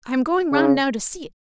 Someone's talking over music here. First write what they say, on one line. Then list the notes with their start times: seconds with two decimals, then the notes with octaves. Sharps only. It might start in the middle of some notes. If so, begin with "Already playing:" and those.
I am going round now to see it.
0.52 C#3